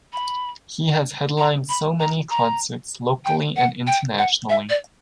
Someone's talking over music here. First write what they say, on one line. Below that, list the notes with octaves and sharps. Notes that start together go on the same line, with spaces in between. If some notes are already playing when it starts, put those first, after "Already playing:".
He has headlined so many concerts locally and internationally.
B5
A#5
B5
A#5
A#5
G5
F#5
G5
F#5
E5
D5